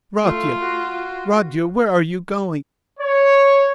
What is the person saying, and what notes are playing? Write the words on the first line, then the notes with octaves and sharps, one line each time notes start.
Rodya, Rodya, where are you going?
A3 F4
F#4
C#5